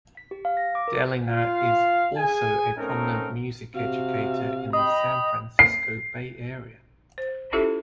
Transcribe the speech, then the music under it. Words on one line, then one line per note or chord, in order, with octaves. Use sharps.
Dehlinger is also a prominent music educator in the San Francisco Bay Area.
B6
G4
F5
A#6
D6
A#4
F4 F5
G#4 G#5
A3 C4 C#4 D#4 A#4
C3 F#4 F5
D#5 G5 B5 D#6
C7
C5
C#4 E4 F4 G4 A4 E5